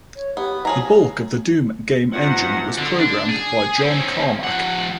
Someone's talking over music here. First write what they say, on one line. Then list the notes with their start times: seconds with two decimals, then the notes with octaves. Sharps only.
The bulk of the "Doom" game engine was programmed by John Carmack.
0.16 C#5
0.37 B3 G4
0.65 F3 G#4 C#5 A#5
2.12 G2 C3 F3 C4 F#4 F#5
2.78 D3
2.99 D4
3.29 G#4
3.80 C4 C#4
4.44 F3 F#5